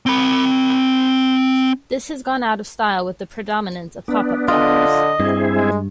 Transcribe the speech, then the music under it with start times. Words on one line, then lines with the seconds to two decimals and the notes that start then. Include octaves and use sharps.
This has gone out of style with the predominance of pop-up blockers.
0.06 C4 B5
4.08 B3 D4
4.48 D3 F4 D#5
5.20 G2 C4 E4 G#4
5.55 G#3